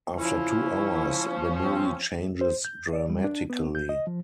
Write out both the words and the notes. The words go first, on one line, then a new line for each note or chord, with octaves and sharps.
After two hours the movie changes dramatically.
F3 C#4 E4
C4
C5
G6
D5
G3
D4
B3
G6
D#5
F3